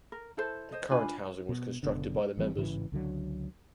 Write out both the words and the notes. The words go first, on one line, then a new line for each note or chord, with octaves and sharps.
The current housing was constructed by the members.
A#4
E4 A4 C5
C5 D#5
D4 F4 G#5 B5
B2
F#1 B2 D3
G#1 E3 G3 C4
A1 G#2 C#3 E3
C#2 D3 F#3